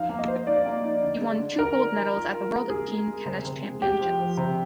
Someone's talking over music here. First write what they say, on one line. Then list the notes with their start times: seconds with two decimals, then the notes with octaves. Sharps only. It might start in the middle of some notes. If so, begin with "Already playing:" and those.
He won two gold medals at the World Team Tennis Championships.
Already playing: F3 D#4 F5
0.09 A#3
0.19 D#5
0.28 C5
0.47 D#4 D5
0.66 A#3
0.84 D#4
1.02 D3
1.21 G#3
1.39 D3
1.59 D3 A#4
1.77 D#4
1.95 D#4
2.13 F4
2.33 F4
2.52 G#3
2.70 G#3 G#4
2.88 G#3
3.08 G#3
3.25 C3
3.45 C3
3.63 G#3
3.81 G#3 G4
3.99 F3
4.19 F3
4.37 C3